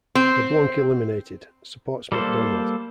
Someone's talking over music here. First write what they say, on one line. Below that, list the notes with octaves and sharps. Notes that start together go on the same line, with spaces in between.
LeBlanc eliminated, supports MacDonald.
C4
G3 A#3 A4 C5